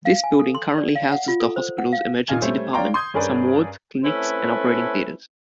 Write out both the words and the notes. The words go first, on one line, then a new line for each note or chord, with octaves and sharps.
This building currently houses the hospital's emergency department, some wards, clinics and operating theatres.
F5
G#5
A4
C6
D5
F5
F#5
F4
A4
C5
F#5
F5
A#2 D#4 F4 F5 G#5 G#6
G3 A3 C#4 C5
C#5 D5 F5 G5 A#5 C6
C6 D#6 G6 G#6
G2 C#4 G#4 A#4 B4 D5
A3 C4 C#4 E4 A4 B4